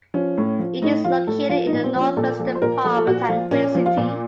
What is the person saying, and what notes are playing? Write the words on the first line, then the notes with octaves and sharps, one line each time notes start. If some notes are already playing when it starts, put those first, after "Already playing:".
It is located in the north-western part of Taguig City.
F3 C#4
A2
F3
A2 D#4
F3 F4
A2 A4
F3 F4
D#4
A#2
C4
F3
C#4
A#2 A4
F3 A4
C5
A#2 A#4
F3 A4
A4
A#2 F#4
F3 F4
A#2 C#4
F3
F4
A#2